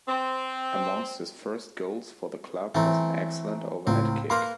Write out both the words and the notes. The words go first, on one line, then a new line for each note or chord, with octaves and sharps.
Amongst his first goals for the club was an excellent overhead kick.
C4
E3 A3 C4 A#5
C#2 A2 C4
A#3 A#4 B4 C6